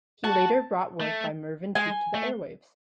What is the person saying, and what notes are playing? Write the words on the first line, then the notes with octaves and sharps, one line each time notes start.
He later brought work by Mervyn Peake to the airwaves.
F#4 A5
A3
G#3 G#5
A3